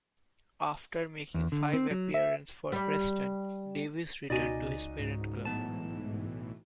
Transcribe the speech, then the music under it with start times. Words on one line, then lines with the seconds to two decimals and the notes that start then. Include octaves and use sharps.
After making five appearance for Preston, Davies returned to his parent club.
1.34 E2
1.52 D3
1.73 C4
1.91 F#3
2.14 E5
2.72 G3 D5
4.30 C#2 B2 D#4 F#4 D5 D#5 G#5
4.99 G#2
5.45 B1 A2 E3 B3 A5